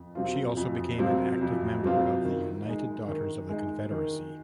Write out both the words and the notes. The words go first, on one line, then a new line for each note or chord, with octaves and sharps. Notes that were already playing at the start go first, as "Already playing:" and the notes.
She also became an active member of the United Daughters of the Confederacy.
Already playing: F2
C3 F#3 C4 F4
F2
C3 F#3 C4 F4
F2
C3 F#3 C4 F4
D#3
G#3 D#4
D#3
G#3 D#4
D#3